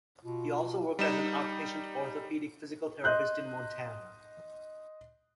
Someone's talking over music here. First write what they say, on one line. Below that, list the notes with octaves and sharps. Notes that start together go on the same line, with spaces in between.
He also worked as an outpatient orthopedic physical therapist in Montana.
B2 F4
G3 D#4 E7
D#5 C6 F#6 G6